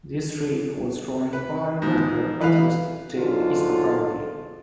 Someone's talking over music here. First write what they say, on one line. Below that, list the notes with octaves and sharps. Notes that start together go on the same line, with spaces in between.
This strip was drawn by regular artist Dave Eastbury.
B4
G#2 B2
E3 B4 F5
G#2 D3 F#3 F4